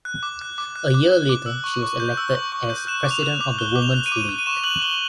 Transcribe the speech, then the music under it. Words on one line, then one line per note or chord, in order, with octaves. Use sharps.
A year later she was elected as President of the Women's League.
F#6
D6
F#6
D6
F#6
D6
F#6
D6
E6
C#6
C#6
G6
E6
C#6
C#6
G6
F#6 E7
D6
F7
F#6
D6
F#6 G7
D6
F7
F#6
D#7
D6
F#6
D#7
C#6 E7
F#6 F#7
C#6 G7